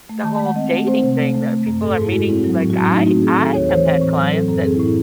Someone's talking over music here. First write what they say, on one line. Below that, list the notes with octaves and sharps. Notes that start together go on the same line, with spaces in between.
the whole dating thing that people are meeting, like, I I have had clients that
A3
D#3 A5
A5
G#3
F#5
C4 D#5
A3
C4 C5
C3
A3
A3
A3
F#2
G#2 A4
A4
G#2 G#4
E4
G#3 F#4
C4 E4
F#3
A2
F#4
F#3 E4
C#4
A3 D#4
C4 F#4
C4 G#4
D#3 A4
D#2 C#5
E3 C5
C#5
C4 C5
A2
F#3
C4 A4
F#2 A4
C4 G#4
E4
A2
E4